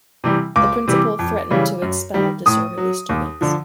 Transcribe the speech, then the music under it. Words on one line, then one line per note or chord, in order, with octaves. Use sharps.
The principle threatened to expel disorderly students.
C3 E3 G3
C#2 D6
C3 E3 G3
F2
C#3 E3 G3
F#2
D#3 G3
A2 D#6
F#3
D#2
D3 F3